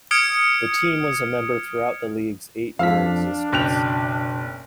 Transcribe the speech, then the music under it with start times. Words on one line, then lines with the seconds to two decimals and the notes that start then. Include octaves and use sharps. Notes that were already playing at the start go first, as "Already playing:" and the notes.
The team was a member throughout the league's eight-year existence.
0.11 D#6 F6 G#6 C#7 D7
2.79 F2 F3 D4 F5 E6 B6
3.52 F#1 B2 G5 F#6 F7